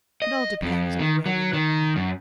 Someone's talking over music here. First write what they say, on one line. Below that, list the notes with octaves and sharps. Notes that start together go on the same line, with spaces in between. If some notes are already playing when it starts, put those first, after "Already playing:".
It all depends on the way we look at it.
D#5
F2
D#3
F#3
D#3
F#2